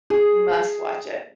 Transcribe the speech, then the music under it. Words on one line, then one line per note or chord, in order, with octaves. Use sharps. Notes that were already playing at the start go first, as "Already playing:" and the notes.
You must watch it
G#4